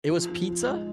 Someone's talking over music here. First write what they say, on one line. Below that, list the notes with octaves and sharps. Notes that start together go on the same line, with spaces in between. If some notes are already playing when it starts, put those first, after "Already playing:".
it was pizza,
F3
F3
F3
G#3